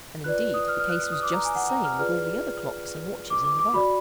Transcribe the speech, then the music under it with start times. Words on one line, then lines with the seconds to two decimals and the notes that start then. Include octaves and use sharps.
And, indeed the case was just the same with all the other clocks and watches in the borough.
0.24 F4 B4 D5 F#6
0.54 D#6
0.68 F6
0.79 F6
0.89 F#6
1.00 F6
1.12 D#6
1.22 D6
1.33 A#5
1.45 G#5
1.55 F#5
1.69 A#5
1.85 F6
1.99 F4 G#4 B4 D5 F6
3.30 D6
3.44 D6
3.59 D6
3.73 F#4 D5 B5